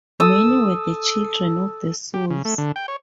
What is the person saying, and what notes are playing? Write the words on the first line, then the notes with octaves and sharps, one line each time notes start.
Many were the children of The Souls.
A4 D#6 E6
G4
C#3
A3
D3
G5
C#5